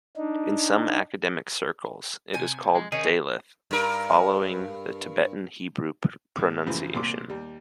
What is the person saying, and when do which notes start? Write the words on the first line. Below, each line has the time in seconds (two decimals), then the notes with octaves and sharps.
In some academic circles, it is called "daleth", following the Tiberian Hebrew pronunciation.
0.17 D4 D#4
2.34 C3 G#5
2.75 G#3
2.92 D#3 C#4 G#4
3.71 G2 A#4
6.36 A2
6.66 F#2 C#3 E3 F3
6.94 C2 A#2 C6 D6
7.29 D#2 G3